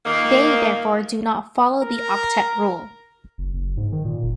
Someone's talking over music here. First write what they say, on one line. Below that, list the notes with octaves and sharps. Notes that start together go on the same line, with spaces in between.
They therefore do not follow the octet rule.
A#2 D#3 A#3
A#4
F#1
F#1
G#2
D#3
A#2
F#1